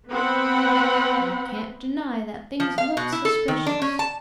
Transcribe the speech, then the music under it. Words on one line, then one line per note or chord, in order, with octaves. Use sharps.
I can't deny that things look suspicious.
B3 C4 F#5 B5
F3
F5
B2
E4
A4
D#3
D4
C#4
A5